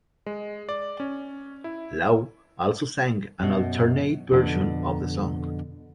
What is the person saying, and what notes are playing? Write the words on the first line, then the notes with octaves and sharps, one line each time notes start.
Lau also sang an alternate version of the song.
G#3
D5
C#4
E4
F#2 B2
F2 B2 D3